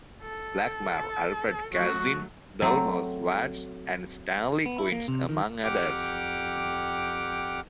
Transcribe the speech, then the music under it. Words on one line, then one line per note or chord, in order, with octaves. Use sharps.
Blackmur, Alfred Kazin, Delmore Schwartz, and Stanley Kunitz among others.
A4
F#3 A3 F#4
F#3 A3 C4
B3
E4
A#3
C3
D#3
F2 G4 F#5 G5 D6 F6